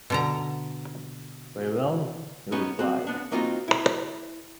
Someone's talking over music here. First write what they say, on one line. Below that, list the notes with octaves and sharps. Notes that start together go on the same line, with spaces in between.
Very well,” he replied.
B2 D3 A#5
B3 C#4 D#4 B4
C4 F#4
B3 D4
A#3 C4 D#4 F4 F#4
E4